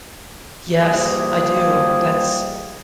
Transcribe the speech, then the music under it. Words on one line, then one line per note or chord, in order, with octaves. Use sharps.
Yes. I do. That's
D#3 F3 G3 A#3 G4 G#4